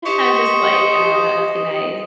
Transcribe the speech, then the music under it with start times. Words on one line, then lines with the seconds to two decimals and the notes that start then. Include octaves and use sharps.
I'm just like, "Oh, that must be nice."
0.06 G4 C5 D#5 C#6